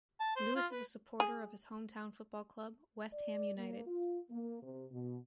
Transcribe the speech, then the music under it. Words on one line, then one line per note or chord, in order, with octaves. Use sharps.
Lewis is a supporter of his home town football club, West Ham United.
A5
C5
F4
B4
G#4
D5
A#3
F4
A#3
C3
B2